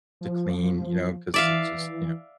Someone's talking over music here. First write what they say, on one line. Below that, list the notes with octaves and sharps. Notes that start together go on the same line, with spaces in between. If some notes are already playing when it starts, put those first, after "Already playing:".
to clean, you know, 'cause it just you know?
F3
E3 D5 E5 F5